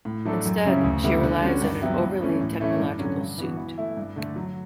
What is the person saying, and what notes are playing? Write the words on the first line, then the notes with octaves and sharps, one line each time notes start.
Instead, she relies on an overtly technological suit.
A2
F#3 A3 D4 A4
F#2
C#3 G3 C#4 E4
D2
D3 G3 B3 E4
D3
G3 C#4 F#4
G2
F#3 B3 E4 G4
G2
E3 A3 C#4
A2
E3 A3 C#4 E4
G2
D3 F#3 C#4
G2
E3 B3 F#4
E3
A3 E4
G2
D3 A3
F#3